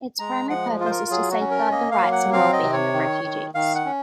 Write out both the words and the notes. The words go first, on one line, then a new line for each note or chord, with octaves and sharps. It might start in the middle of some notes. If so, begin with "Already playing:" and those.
Its primary purpose is to safeguard the rights and well-being of refugees.
G#3 A#5
F3 F#5
F4
C5
A#4
F#3 G#4
F#4
C#4
A#4
A#3 D#5
F5
F#3
F#5
C4 F5
D#5
C3
C#5
D#3
D#3
D#3 F5
F#5
C#4